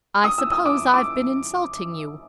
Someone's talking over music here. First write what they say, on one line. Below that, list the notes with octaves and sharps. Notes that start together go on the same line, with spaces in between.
I suppose I've been insulting you.
D#6
E6
D#6
D6
D6